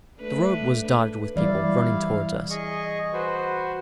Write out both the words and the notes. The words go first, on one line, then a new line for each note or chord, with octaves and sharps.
The road was dotted with people running towards us.
A3 D4 B4
E3 G3 E4 D5 F5
G#4 D#5 C#6
F#4 B4 C5